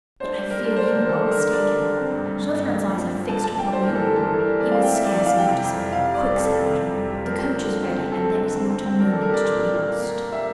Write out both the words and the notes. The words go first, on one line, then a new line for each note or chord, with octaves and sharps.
But I fear you are mistaken. Chauvelin's eyes are fixed upon you all, he will scarce notice me. Quick, Sir Andrew!--the coach is ready, and there is not a moment to be lost. . . .
D4 C5
G3
G3 A#4
D4 A#4
D4 C5
A#4
D3 C5
D3 A4
G3
A#4
D3
G3 D5
D4
D3
C4
G2
G2
G2
G2
G2
F3
C4
C4
G2 A5
G2 A5
G2 G5
G3 C5
E3 A#4
A4
G3 A#4
E3 A4
E3
A#4
G3
C4 D5
C4 F5
G5
G3 E5
G3 D5
E3 D5
F5
G3 G5
C3
F2
G3
C3 F5
G3
D5
G3
C4 A4
G3
C3
F2
G3
G3
F3 A#4
C4
D3
D3
C4
C4
C4 A4
D3
D3
C4
C4
C4
D4 A#4
D4 A4
A#4
G3 D5
A#2
D4
A#3
A#3
A#3
A#3
G3 E5